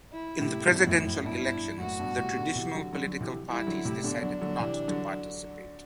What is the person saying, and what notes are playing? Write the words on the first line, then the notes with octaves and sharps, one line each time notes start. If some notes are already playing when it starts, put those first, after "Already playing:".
In the presidential elections, the traditional political parties decided not to participate.
E4
A2 C3
A2
G2 B2
F#2 A2
F#2 A2
G2 B2 E4
G2
F#2 A2 F#4
G2 B2
A2 C3
B2 D3
C3 E3
D3 F#3
D3 F#3
D3 F#3
C3 E3
E3 G3 E4
D3 F#3
A2 C3
B2 D3 D4
D3 F#3
D3 F#3
C3 E3
D3 F#3